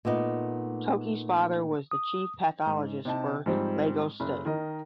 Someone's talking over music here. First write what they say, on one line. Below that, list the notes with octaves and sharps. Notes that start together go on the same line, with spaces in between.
Toki’s father was the chief pathologist for Lagos state.
A#2 A3 B3 D#4
D#6
G#2
C3 D#4 A5
G#2 F3 G3 C4
F#1
D#3 A#4 D#5